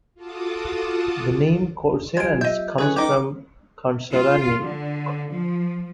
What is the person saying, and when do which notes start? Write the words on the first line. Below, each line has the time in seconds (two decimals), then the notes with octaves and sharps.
The name Couserans comes from "Consoranni".
0.15 F4 F#4 A4 A5 D6 D#6
2.17 F#3 G#3 F4 G4 G#6 D7
2.41 D#5 E5 G6
2.78 C#4 E4 G#4 A4 B4 C#5
2.96 D#4 G4 B4 D6
4.12 F4
4.62 D3
5.31 F3